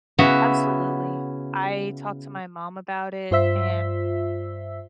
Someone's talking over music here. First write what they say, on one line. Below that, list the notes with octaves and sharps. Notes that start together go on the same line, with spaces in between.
Absolutely. I talked to my mom about it, and
C#3 B3 E4 F#4 E5 F#5
G2 F4 C5 E5 E6 B6